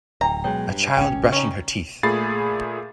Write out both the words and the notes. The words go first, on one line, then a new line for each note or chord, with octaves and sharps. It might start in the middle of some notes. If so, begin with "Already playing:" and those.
A child brushing her teeth.
D1 D4 G5 A#5
B2 F#3 G#3 C#5 G5
G2
G#1 C#2 C#4 G5
C#3 C#4 D#4
A#2 A3 G#4 B5 A6 C7